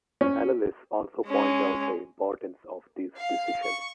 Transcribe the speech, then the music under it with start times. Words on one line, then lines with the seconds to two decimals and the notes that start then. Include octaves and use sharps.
Analysts also point out the importance of these decisions.
0.21 C#4
1.27 G#3 C#4
3.18 F5
3.63 C#6